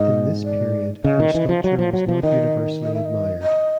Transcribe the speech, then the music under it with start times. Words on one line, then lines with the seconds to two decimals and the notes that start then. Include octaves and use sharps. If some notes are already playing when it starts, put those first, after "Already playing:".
In this period her sculpture was not universally admired.
Already playing: G#2 D#5
0.44 D5
1.04 C#3 D#5
1.20 D#3
1.35 E3
1.49 F3
1.64 F#3
1.79 F3
1.93 F#3
2.08 F3
2.23 D#3 D#5
2.83 D#5
2.94 E5
3.05 D#5
3.42 D#5